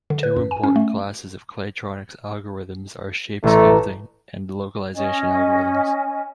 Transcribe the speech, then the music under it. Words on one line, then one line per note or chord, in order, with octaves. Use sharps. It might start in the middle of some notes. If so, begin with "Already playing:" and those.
Two important classes of claytronics algorithms are shape sculpting and localization algorithms.
D3
B4
F#2
G#5
C#4
A3
A1 A3 A#5
C#4 D#5 G#5